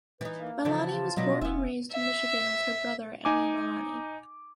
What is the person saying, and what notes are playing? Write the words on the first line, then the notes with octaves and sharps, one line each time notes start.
Malani was born and raised in Michigan with her brother Anu Malani.
E3 D#4 B4
A#3
C#3 E3 F3 A4 A5
F4
B2 F#3 B3 D4 D#5
F1 B3 C#4 E5
E5
D#4 G#5 D6